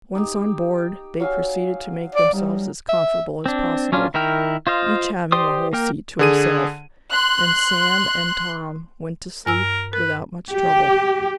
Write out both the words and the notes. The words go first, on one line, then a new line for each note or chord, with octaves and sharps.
Once on board, they proceeded to make themselves as comfortable as possible, each having a whole seat to himself, and Sam and Tom went to sleep without much trouble.
D#4 G4
F#3 F5 G#5
D5
G3 D#4
E5
C4 D4
F#3 C#4 D4 F4
D#3 E4 A#4 G5 F6
F4 C5 D#5 F5
G4 C5 D5 C6 D#6
A#3 A#4 G5
D3 G#4 D#7
C6 F#6
G2 A#4 G#5 E6
A#4 B4
G4